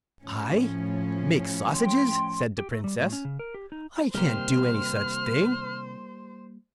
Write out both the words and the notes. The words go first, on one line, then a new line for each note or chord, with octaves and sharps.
'I make sausages!' said the Princess; 'I can't do any such thing.
A2 F3 C#4
G5 C6
G4
A3
G3
A2
C#4
C#3
A#4
G4
D#4
C3 D#3 G3 A#3 G4 C5 F6